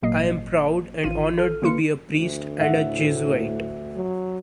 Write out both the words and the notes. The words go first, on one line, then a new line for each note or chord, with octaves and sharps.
I am proud and honored to be a priest and a Jesuit.
G#1 A#2 F#3 A#3 D#5 C7
A1 D#3 E3 F4 D#7
A4 F6
D3 A#3 F4 B4 C6 C#7
D2
A2 E5 F#5
F#3